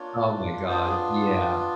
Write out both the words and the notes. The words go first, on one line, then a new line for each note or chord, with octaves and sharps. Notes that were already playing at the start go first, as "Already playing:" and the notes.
Oh my god. Yeah.
Already playing: A#3 D4 F4 C#5
B3 D4 F4 C5
G#4